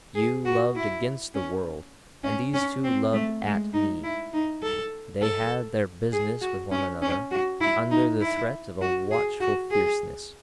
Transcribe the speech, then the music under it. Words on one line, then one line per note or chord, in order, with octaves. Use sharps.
You loved against the world, and these two loved AT me. They had their business with one another, under the threat of a watchful fierceness.
G#4
F#4
E4
C#4
C#4
C#4
C4
A3
G#3
D#4
E4
D#4
A4
A4
G#4
F#4
C#4
C#4
F#4
E4
D#4
E4
F#4
G#4
F#4
G#4